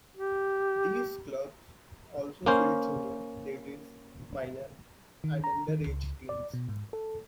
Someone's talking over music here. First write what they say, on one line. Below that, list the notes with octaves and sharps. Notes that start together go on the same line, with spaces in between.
These clubs also field Junior, Ladies, Minor and Underage teams.
G4
A#3 C#4 C5
D#3
A#5
D#3
C#2
D5
B2
G#2
A4